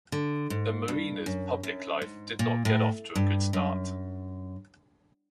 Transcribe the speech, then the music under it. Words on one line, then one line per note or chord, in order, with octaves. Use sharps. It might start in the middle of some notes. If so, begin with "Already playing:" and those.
The Marina's public life did not get off to a good start.
D3
G#2
G2
F#2
F#2
G#2
A#2
A2
G2
F#2